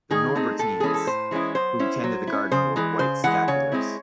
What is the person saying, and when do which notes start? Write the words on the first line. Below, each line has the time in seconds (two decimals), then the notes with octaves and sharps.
The Norbertines who tended the garden wore white scapulars.
0.10 D#3 G#4
0.35 A3 C4 D#4
0.59 A2 A4
0.80 E3 G#3 C#4 E4 G#4
0.94 A4
1.07 A2 C5
1.31 E3 G#3 C#4 E4
1.55 F#3 C5
1.80 C#4 E4
2.04 F#3
2.27 C#4 E4
2.51 C#3 C5
2.76 E3 G#3
2.99 C#3 C5
3.24 E3 G#3 F#5
3.48 C#3 C#5
3.72 G#3 C4 E4